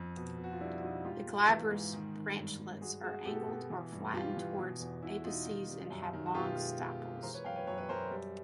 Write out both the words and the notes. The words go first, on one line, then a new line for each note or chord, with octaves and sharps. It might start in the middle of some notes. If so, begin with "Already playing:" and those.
The glabrous branchlets are angled or flattened towards apices and have long stipules.
Already playing: F2
B2
B2
F#4
F4
G3 D4 E4
F#4
B2 D#4 F4
G#2 F4 G4
G#2
E3
G#2
D#3
D#3
G2
G2
G#3 F#4 G#4
G#3 F#4 G#4
B2 G4 A4
B2
E3
G2
G2 F4 G4
E3
B2
E2
B2 E4 F#4
B2 D#4 F4
D#3
G3
F#2
D#3
F#4
B2 F4 G4
G#3
B2
G#3
E3 A#4 C5
B4 C#5
F#2 F5 G5
B4 C#5
F#2 B4 C#5
B4 C#5
F#2 A#4 C5
G3